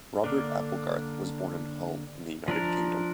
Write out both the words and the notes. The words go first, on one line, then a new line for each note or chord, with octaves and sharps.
Robert Applegarth was born in Hull in the United Kingdom.
D3 A#3 D4
F3 D4 A#4